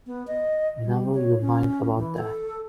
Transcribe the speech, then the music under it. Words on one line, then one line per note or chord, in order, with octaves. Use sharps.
Never you mind about that!
B3
D#5
G3
C#5
C#4
E3
A4